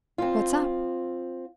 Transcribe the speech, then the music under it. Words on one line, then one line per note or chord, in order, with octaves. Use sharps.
'What's up?
C4 F4